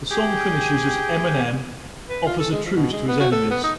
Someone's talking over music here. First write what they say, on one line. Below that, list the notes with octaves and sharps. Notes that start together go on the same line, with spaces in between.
The song finishes as Eminem offers a truce to his enemies.
G4 G#4 G5
B4
F4
A4
G#3
F3
B2
G#3
B3
F#4
A4
B3
D#4